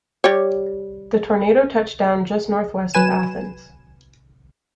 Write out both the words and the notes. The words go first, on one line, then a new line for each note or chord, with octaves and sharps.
The tornado touched down just northwest of Athens.
G3 G4 C#5
F#3 B4 G#5 E7